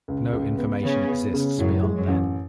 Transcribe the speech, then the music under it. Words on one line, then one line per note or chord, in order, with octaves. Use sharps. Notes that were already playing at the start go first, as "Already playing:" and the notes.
No information exists beyond then.
C#2
C#2
B3
C#3 B3 C#4
B3
C#3
F#2 A2 F#3
G#3
F#2 F#3
A1